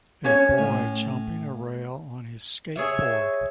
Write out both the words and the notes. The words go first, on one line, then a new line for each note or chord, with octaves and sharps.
A boy jumping a rail on his skateboard.
C#4 C#5
A2 G#5
G#4 C#5 E5